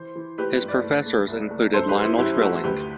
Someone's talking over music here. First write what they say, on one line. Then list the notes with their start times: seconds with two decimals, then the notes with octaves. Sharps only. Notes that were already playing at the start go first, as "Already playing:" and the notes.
His professors included Lionel Trilling.
Already playing: E3 C5
0.15 E3
0.38 A3 G4 B4
0.53 G4 B4
0.61 G2
0.68 B4 D5
0.84 A3
1.06 A3
1.28 C2
1.51 A3
1.73 F#2 A4 C5
1.88 G4 B4
1.96 F#2
2.04 E4
2.18 F#2 E4 G4
2.41 A3 F#4 A4
2.63 D2 G4 B4